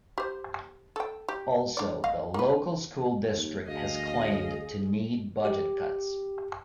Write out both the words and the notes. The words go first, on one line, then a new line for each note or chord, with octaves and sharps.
Also, the local school district has claimed to need budget cuts.
G4 C5
A4 G5
G4
D4 D5
D#5 F5
A#3 B4
D#2
D2 G#4 D#5 F5
G4